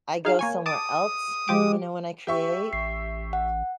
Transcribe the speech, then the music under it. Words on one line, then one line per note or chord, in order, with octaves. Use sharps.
I go somewhere else, you know, when I create.
D#4 G#4 F5
A#3 C#5 G#5
A5 D6 D#6
F3 G#3 G4 D6
G4 E5 C#6
A1 C7
F#5